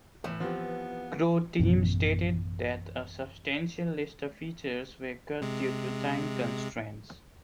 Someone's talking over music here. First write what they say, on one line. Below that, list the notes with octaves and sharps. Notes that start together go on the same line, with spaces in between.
Croteam stated that a substantial list of features were cut due to time constraints.
A2 E3
F3 B3 C4 F4 G4
A1 F#2 B2 C#4
C3 G#3